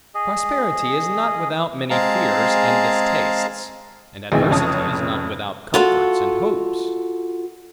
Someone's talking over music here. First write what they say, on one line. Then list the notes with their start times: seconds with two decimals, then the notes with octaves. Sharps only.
Prosperity is not without many fears and distastes; and adversity is not without comforts and hopes.
0.15 G#4 D#5
1.90 G#3 C4 G#4 F5 A5 A#5
4.32 A1 D2 C3 D#3 E3 G#3
4.49 F1 F2 C#3 C#5 A5 D#6
5.74 F4 F#4 A4